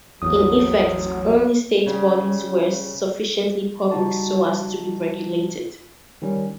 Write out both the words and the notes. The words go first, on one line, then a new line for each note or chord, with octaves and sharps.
In effect, only state bodies were sufficiently 'public' so as to be regulated.
A1 E2 F#3 D#6
C#3 G3 C#4 G#4
C#3 G3 D#4 F#4 A5
D#3 G3 C#4